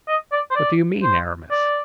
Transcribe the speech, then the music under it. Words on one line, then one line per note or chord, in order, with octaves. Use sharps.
"What do you mean, Aramis?"
D#5
D5
C5
D5
C5
D5